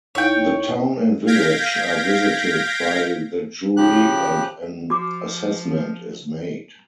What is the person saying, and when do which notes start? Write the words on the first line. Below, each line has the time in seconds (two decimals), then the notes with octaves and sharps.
The Town and Village are visited by the Jury and an assessment is made.
0.15 E2 D#4 E4 C#5 G5
1.26 F5 G6 G#6 A#6 B6 D7
3.77 C#3 F3 G4 F#6
4.90 F3 F#4 D6